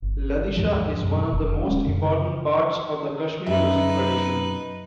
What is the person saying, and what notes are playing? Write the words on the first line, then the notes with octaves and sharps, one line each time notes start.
Ladishah is one of the most important parts of the Kashmiri music tradition.
G1
D#2 G#2 F3
F#2 B2
F1
D1 G#3 C#4
F#2 C#3
F#2 D#4 B4 E5